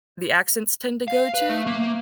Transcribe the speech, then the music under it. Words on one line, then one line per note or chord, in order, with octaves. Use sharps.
the accents tend to go to,
F5
B4
A3
A#3